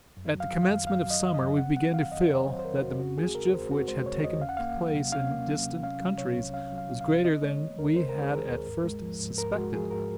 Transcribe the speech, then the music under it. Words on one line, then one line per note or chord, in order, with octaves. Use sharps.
At the commencement of summer, we began to feel, that the mischief which had taken place in distant countries was greater than we had at first suspected.
F#2
F#3
F5
D#3
F5
F#2
F#2 F5
F#3 D#5
D#3
D#5
F#2
C4 F#5
F#3 F#5
D#3 F5
F2 D#5
C4 C#5
F#3 C5
C5
D#3 A#4
F2 F#4
C4 F#4
G#3 G#4
C#3 A#4
D#2 C5
C4 F#4
G#3 C5
C#3 C#5
D#2 D#5
C#4 F5
F#5
A#3 F5
F#3
C3
C#4 F5
A#3
F#3
C3
C#4 F5
F#3
C3 C#5
C2
C#4 F5
F#3
F5
C3
F5
C2
C4 D#5
G#3 C#5
D#3
D#2 A#4
C4 C5
G#3 A#4
G#4
D#3 A#4
D#2
G#2
G#3
F3
G#2
G#2 A#4
G#3 F#4
F3 G#4
G#2 A#4